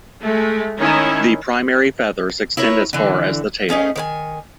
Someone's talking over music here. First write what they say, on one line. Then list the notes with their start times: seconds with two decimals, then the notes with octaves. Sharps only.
The primary feathers extend as far as the tail.
0.19 G#3 A3
0.80 D#3 C#4 E4
2.57 E4 A#4 B4 C#5
2.93 D3 E3
3.69 A3 C#4 D#4 G#4
3.96 D#3 B4 G#5